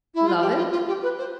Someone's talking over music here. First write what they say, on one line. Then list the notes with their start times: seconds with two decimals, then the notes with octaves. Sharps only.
"Love it?"
0.14 E4
0.27 F4
0.42 G4
0.57 F4
0.72 F4
0.88 G4
1.02 B4
1.18 C5